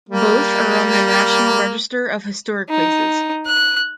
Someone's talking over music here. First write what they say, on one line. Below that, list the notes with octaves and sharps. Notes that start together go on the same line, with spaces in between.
Both are on the National Register of Historic Places.
G3 A#3
D#4
F#6